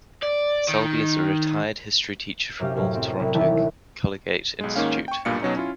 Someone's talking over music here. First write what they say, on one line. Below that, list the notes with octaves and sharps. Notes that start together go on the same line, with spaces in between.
Selby is a retired history teacher from North Toronto Collegiate Institute.
D5
D#3
F#2 C3 G4 F5
F#2 A2
C4
C2
D#2 E3 E4 A5
B1 G#3
G#2 D#3 A#3 C#4 F5
G5 C#6
B1 G2 A#2 F5 C#7
B2 F#3 C#4 D#4
C#4 E4 F4